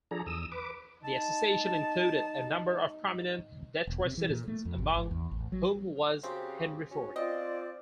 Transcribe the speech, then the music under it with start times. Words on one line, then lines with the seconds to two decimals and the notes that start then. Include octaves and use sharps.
The Association included a number of prominent Detroit citizens, among whom was Henry Ford.
0.11 F3 D4 G#4 A4 A#5
0.26 E2 D#6 E6
0.52 B4 D6
1.04 D#4 A5
3.87 E1
4.05 C3
4.18 E3
4.30 A#2
4.48 A3
4.65 F2
4.78 G#1
4.94 G#1
5.11 E2
5.31 A1
5.52 F#3
6.23 C#3 C4 F#4 G4
6.91 C#4 F#4
7.16 C4 F4 D5 D#5